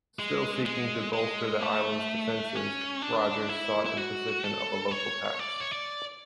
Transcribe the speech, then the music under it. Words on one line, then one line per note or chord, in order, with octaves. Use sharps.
Still seeking to bolster the island's defences, Rogers sought imposition of a local tax.
G#3
G#3
G#3
A3
C#4
D4
E4
E4
F#4
A4
C#5
D5
C#5
D5